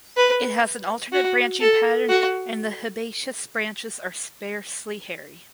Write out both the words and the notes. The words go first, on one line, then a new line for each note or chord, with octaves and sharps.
It has an alternate branching pattern and the herbaceous branches are sparsely hairy.
B4
F#4
A4
F#4